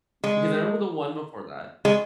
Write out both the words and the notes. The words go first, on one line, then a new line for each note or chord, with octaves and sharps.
Because I remember the one before that.
G#3
G#3